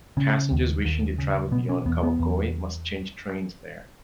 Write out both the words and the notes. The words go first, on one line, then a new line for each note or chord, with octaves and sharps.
Passengers wishing to travel beyond Kawagoe must change trains there.
C#3 C#4
D#2
D#2
C#3
B2 B3
C#4
E2 B3
B3
E2